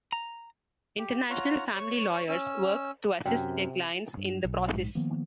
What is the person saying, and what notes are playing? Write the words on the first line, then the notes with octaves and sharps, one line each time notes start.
International family lawyers work to assist their clients in that process.
A#5
G4
F4 C#5 F#5 A#5
C#5 C#6
C#4 E6
F#2 C3 G5
G2
B1
A#1 G#2
D#3 F3 A#3 B3